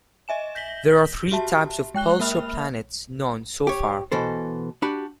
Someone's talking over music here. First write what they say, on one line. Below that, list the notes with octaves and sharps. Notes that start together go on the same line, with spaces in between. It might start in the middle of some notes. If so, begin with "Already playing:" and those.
There are three types of pulsar planets known so far.
D#5 E5 G#5 E7
G6 A#6 B6 F#7 G7
F#4 G4 E5 A5
G#3 G5 F#6 G7
A#3 A#4 E5 B5 F6 F7
G4 C#5
B2 E3 A4 C5
D4 F#4 G4 B5